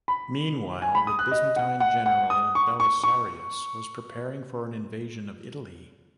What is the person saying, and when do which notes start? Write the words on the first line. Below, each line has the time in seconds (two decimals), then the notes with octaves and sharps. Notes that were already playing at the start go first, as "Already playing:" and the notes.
Meanwhile, the Byzantine general Belisarius was preparing for an invasion of Italy.
0.08 B5
0.82 G#5
0.95 B5
1.07 D#6
1.19 F#6
1.31 D#5
1.56 F#5
1.80 F#5
2.06 F#5
2.30 D#6
2.55 C#6
2.80 C#6
3.04 C#6